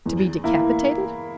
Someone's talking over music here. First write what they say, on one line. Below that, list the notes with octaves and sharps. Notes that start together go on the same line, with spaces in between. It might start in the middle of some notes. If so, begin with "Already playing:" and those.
To be decapitated?
E2
E3 A#3 E4